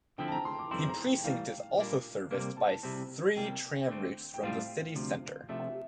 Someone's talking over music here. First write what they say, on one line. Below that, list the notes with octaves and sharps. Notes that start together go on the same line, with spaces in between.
The precinct is also serviced by three tram routes from the city centre.
D3 F3 C4 E4 G5
A5
A#5
C6
D6
F2 E3 G3 C4 E4 C6
A#5
G5
A2 E3 G3 F5
A#2 G3 A#3 D4
C2 C3 G3 A#3
A5
C3 G3 C4 E4
C3 G3 A#3 G5
D3 A3 C4
G5
A2 G3 C4 F4 F5
D2 C3 F3
C3 F3 A3 D4 E5